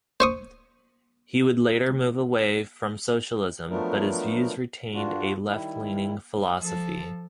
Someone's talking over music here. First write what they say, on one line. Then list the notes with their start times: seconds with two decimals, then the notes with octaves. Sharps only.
He would later move away from socialism, but his views retained a left-leaning philosophy.
0.20 C5 C#6 D#6
3.69 F3 F#3 A3 B3 D4 A#4
4.94 G2 D4 F4 F#4
5.48 D#3 G3 E4
6.60 F3 A4